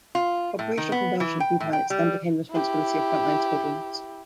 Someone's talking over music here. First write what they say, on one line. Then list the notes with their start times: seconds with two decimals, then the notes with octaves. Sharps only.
Operational conversion of new pilots then became the responsibility of front-line squadrons.
0.15 F4
0.59 A2
0.78 D#3
0.92 B3
1.20 E3
1.40 G5
1.60 A2
1.73 G5
1.90 G3
2.51 E4 G4